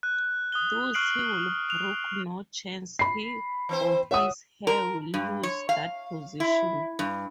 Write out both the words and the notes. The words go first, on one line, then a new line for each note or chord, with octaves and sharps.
Thus, he will brook no chance he or his heir will lose that position.
F#6
D#6 F#6 G7
C#6 F6 F#6 C7 D7 F#7
F#6 F7
B5 C7
E3 C4 C5
C#5 E5 F#5 D#6
A#4
G2
C#5
F5
E4
G2